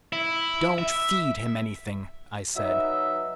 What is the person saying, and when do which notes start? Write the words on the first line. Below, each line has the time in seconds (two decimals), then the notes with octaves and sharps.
"Don't feed him anything," I said.
0.13 E4
0.78 E5
2.56 F#3 D#4 B4 E5